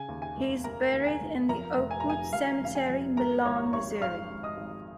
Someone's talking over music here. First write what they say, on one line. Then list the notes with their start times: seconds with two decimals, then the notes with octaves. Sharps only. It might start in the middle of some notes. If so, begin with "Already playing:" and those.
He is buried in the Oakwood Cemetery, Milan, Missouri.
Already playing: C#3 G#5
0.09 D#2
0.22 G#5
0.37 F1
0.64 F1 A#4 A#5
0.92 D#2
1.07 G#5
1.20 F1
1.49 F2 A#4 A#5
1.77 F1
1.91 G#5
2.00 A#5
2.05 F1 G#5
2.33 F1 F5
2.61 F1 F5
2.75 G#5
2.90 F2
3.17 G#1 A#4 A#5
3.45 G#1 C#5 C#6
3.73 G#1 C#5 C#6
4.01 G#2 F5 F6
4.30 G#1
4.43 D#5 D#6
4.57 G#1